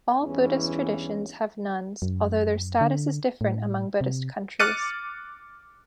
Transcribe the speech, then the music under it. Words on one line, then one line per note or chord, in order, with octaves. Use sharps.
All Buddhist traditions have nuns, although their status is different among Buddhist countries.
E2 G2 E3 C#4
F#2
D3
A2
C3
D6 F6 F#6 A6 C#7 D#7